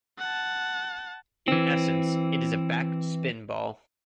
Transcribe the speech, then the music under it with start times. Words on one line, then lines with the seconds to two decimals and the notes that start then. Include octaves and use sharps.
In essence it is a back spin ball.
0.19 F#5 A5
1.48 E3 C4